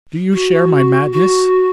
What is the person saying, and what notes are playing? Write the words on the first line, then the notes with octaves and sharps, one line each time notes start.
Do you share my madness?
F#4
F#4